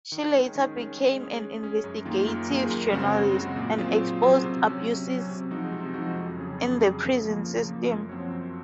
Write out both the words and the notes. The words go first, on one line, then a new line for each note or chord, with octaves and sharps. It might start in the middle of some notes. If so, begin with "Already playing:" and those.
She later became an investigative journalist, and exposed abuses in the prison system.
D#3
G#3 C#4
D#3
G#3 C#4
G#3
C#4 G#4
G#3
C#4 G#4
F#2
D#3 A#3 F4 G#4
F#2
D#3 A#3 F4 G#4
F#2
C#3 G#3 C4 F#4
F#2
C#3 G#3 C4 F#4
A#2
F#3 C4 F4 G#4
A#2
F#3 C4 F4 G#4
C3
F#3 C#4
C3
F#3 C#4
C3
F3 G#3 D#4 F#4
C3
F3 G#3 D#4 F#4
F2
C#3 F#3 C#4 G#4
F2
C#3 F#3 C#4 G#4
C#3
F3 A#3
C#3
F3 A#3
F#2
F3 C4 F#4 C#5
F#2